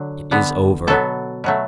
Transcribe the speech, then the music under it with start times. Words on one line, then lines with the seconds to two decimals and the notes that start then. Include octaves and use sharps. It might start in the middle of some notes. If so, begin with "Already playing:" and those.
It is over.
Already playing: D3 F#3
0.31 D3 B3
0.87 B2 F#3 B3 A4
1.44 B2 F#3 A3